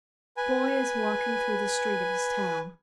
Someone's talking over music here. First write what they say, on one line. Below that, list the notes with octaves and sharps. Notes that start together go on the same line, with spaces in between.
The boy is walking through the street of his town.
B4 G#5